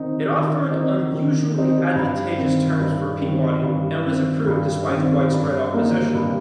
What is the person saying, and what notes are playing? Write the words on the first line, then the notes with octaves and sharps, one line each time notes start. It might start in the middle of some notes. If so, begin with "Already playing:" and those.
It offered unusually advantageous terms for Peabody and was approved despite widespread opposition.
Already playing: D#3 C4 D#4
D#3
C4 D#4
D#3
C4 D#4
G2
D#3 C4
G2
D#3 C4
G2
D#3 C4
G2
D#3 C4
G2
G3 A#3 D#4
G2